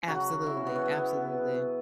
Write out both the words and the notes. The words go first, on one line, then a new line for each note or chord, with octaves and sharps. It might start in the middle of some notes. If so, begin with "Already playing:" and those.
Absolutely. Absolutely.
C#3 F#3 F#4
E4
C#4
B3
C#4
B3